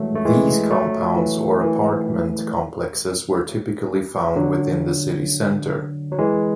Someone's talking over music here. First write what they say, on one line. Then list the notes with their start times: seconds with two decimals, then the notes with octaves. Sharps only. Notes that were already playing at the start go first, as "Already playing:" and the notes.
These compounds or apartment complexes were typically found within the city center.
Already playing: E3 F#3 G#3 A3
0.15 A3
0.25 E3 G#3
0.70 F#3 A3
1.16 E3
1.61 E3
4.36 D3 F#3
6.12 F#3
6.18 E3 G#3